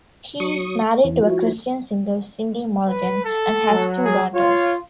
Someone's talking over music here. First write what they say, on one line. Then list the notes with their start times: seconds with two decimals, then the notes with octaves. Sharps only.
He is married to a Christian singer Cindy Morgan and has two daughters.
0.40 F#3 C#6 D#6
1.04 E2 E3
1.22 F3 E4 F#4
2.87 B4
3.25 A4
3.69 F#3
4.05 G#4
4.35 F4 C#5